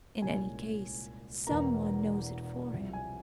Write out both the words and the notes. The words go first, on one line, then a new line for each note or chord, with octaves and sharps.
In any case, some one knows it for him.
C2 A#2 G#3 C#4 G#5
E1 E2 E3 A#3 A#5
C2 C3 F3
G#5